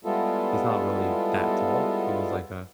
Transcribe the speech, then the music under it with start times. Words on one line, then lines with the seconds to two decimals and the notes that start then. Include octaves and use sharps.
he's not really that tall. He was like a
0.04 G3 G#3 B3 E4 F4 A4